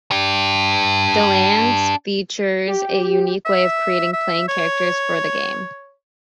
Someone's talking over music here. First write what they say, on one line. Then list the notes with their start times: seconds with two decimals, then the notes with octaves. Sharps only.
"Deadlands" features a unique way of creating playing characters for the game.
0.11 D4 G4
2.68 G4
3.45 E5
4.13 E5
4.48 C#5